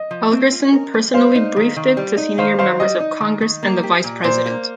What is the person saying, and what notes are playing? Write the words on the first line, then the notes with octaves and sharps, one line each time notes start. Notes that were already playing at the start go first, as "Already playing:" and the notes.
Helgerson personally briefed it to senior members of Congress and the vice president.
Already playing: D#5
F3
C4
F4
A#4
F3
G3 C5 F5
D#4
D#3
D#3
G3
D#4
D#3 C5 F5
D#3 C5 F5
G3 D#5
D#4
D#3
D#3
A#3
G4
A#2
A#2 C5
A#3